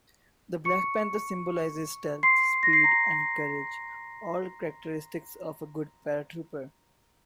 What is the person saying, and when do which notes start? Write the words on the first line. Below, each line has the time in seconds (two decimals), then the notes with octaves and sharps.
The black panther symbolizes stealth, speed and courage, all characteristics of a good Paratrooper.
0.65 C#6 C#7
2.23 C6 C7
2.63 A#6
2.73 C7
2.84 A#5 A#6